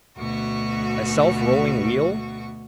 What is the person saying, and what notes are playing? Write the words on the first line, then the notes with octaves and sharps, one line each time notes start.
A self-rolling wheel?
D2 B2 F#4 C#6